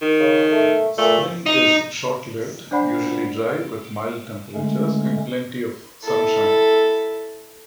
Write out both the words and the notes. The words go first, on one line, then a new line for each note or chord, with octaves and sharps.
Spring is short lived, usually dry with mild temperatures and plenty of sunshine.
D#3
C#3
A3
A#2 A3
D#4
D4 C5 D5 F#5 B5 C7
D3 G#3 A3 C#4
E4 A4